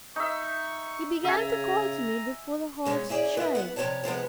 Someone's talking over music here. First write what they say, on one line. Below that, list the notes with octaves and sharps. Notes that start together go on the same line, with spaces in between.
He began to call to me before the horse shied.
D#4 E5 C#6
C#3 E5 G#5 A#5
B2 G#3 C#4
C#4 E4 G#4 D5
F4 A#4 B4 D#5 E5 F#5
B3 F#5
F2 C3 G#3 G4 C#5 A5
C3 F3 G#3 B3